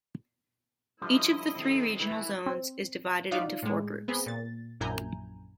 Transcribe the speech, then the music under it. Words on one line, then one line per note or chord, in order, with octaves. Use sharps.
Each of the three regional zones is divided into four groups.
D3 F3 G3 E4 D#5
D#3 C4 A4
E3
C4
D#4 F4 F#4 D5 F5
A2 G#3
B3 C4 G#4
A#2 A6
A#1 F#2 E4 G#5 A#5 G6